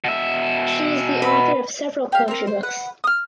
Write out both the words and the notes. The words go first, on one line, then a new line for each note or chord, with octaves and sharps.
She is the author of several poetry books.
B2 E5
B4
G4 F5
C4 A#4
C5
B4 F#5
D#6 F6